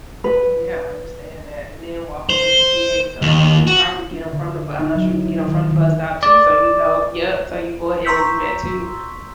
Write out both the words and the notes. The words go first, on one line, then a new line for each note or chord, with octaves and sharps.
Mm, yeah, I understand that, and then walking with your kids, um, and you probably get 'em from the b I'm not sure if you get 'em from the bus stop too, so, you know Yep, so, you go ahead and do that too.
B4
C5
D#2
F#4
D4
D3
D#4
F#3
E4
D#3
D#3
D5
A#5 C6 C#6 E6 G6 B6